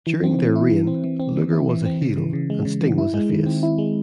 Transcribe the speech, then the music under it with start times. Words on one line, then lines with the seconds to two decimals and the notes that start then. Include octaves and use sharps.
During their reign, Luger was a heel and Sting was a face.
0.07 E3
0.24 C4
0.39 E3
0.56 E4
0.71 E3
0.87 C4
1.04 E3
1.20 C4
1.36 E3
1.53 E4
1.69 E3
1.85 C4
2.02 C#3
2.16 E3
2.33 C#3
2.50 G#3
2.65 C#3
2.81 E3
2.98 E4
3.14 G#3
3.30 D#3
3.46 C4
3.63 E4
3.78 G#3